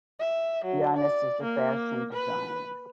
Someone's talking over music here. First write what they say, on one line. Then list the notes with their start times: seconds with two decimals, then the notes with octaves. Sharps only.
Yannis is a fashion designer.
0.20 E5
0.65 F#3
0.97 D5
1.43 A#3
2.13 B4